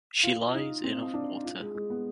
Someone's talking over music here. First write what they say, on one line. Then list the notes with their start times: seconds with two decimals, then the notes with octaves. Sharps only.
She lies in of water.
0.23 F4
0.54 D#4
0.84 C4
1.14 D4
1.44 F4
1.60 G#3
1.75 G#3
1.90 B3